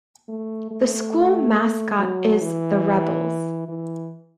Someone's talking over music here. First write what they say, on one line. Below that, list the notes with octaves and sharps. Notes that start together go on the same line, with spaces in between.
The school mascot is the Rebels.
A3
A3
F#3
E3
E3